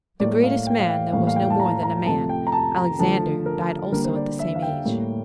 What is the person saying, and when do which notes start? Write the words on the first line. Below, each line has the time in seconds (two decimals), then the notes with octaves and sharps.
The greatest man, that was no more than a man, Alexander, died also at the same age.
0.20 A2 G3 A#3 D5
0.43 F5
0.67 G5
0.80 F5
0.90 G5
1.12 A2 E3 G3 A#3 F5
1.27 F5
1.36 G5
1.50 A5
1.60 A#5
1.83 A#5
2.06 C3 F3 A3 A5
2.29 G5
2.47 A#5
2.52 A5
2.76 A#5
2.99 D3 F3 A3 A5
3.46 A#4
3.92 D3 G3 A#3 A#4
4.05 C5
4.16 D5
4.39 E5
4.55 F5
4.62 G5
4.85 A2 G3 A#3